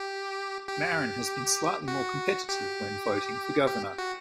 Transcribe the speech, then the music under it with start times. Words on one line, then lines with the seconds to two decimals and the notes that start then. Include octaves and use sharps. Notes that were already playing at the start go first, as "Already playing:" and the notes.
Marin has been slightly more competitive when voting for governor.
Already playing: G4
0.68 G4
1.88 F#4
2.49 G4
3.68 G4
3.98 F#4